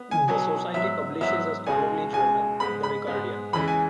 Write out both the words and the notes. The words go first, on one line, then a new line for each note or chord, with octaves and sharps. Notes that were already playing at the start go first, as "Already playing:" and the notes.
The society publishes a scholarly journal, The Ricardian.
Already playing: B3
G#5
B2 F#3 B3 G#5
G#2 F#3 B3 E5
G#2 F#3 B3 E5
C#2 B2 G#3 G#5
C#2 B2 G#3 G#5
G#2 G#3 B3 B5
B5
G#2 G#3 B3
E2 C#3 E3 G#3 B5
G#5